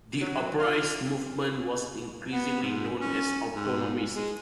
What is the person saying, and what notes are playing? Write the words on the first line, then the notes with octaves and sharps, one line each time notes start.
The "operaist" movement was increasingly known as autonomist.
F#3
F4
B3
G#2
C#4
G#2
G#3